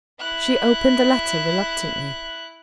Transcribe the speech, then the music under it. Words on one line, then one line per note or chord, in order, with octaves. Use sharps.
She opened the letter reluctantly.
E4 F#6